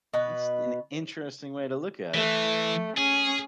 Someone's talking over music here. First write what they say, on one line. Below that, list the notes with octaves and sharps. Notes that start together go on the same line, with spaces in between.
That's an interesting way to look at it.
B2 B4
E3 A3
C#4 G#4